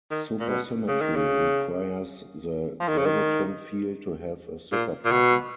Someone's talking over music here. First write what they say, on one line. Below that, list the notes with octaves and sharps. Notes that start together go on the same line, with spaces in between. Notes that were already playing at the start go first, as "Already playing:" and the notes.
Supersymmetry requires the graviton field to have a superpartner.
D#3
A#2
B2
C#3
D#3
C#3
F3
D#3
C#3
D#3
A#2
A#2
B2